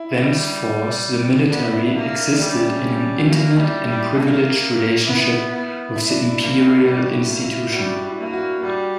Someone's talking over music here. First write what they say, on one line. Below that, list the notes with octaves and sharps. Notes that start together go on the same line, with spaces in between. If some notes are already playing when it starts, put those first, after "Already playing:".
Thenceforth, the military existed in an intimate and privileged relationship with the imperial institution.
Already playing: E4
G3
B3 D4
E4
D4
E4
A#3
D4
D4
G3 C#4
D4
C#4
F#4
A#3 E4
G3 E4
G3 E4
A#3
B3 E4
B3
E4
D4
E4
A#3
G3 F#4
E4
A#3
E4
G3 F#4
D4
E4
A#3 E4
F#4
G3 F#4